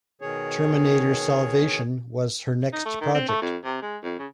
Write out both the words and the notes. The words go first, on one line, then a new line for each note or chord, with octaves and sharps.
"Terminator Salvation" was her next project.
B2 D#3 G#4 C#5
D#4
A3
D#3
C4
A3
F2
C3
G#3
F2
C#3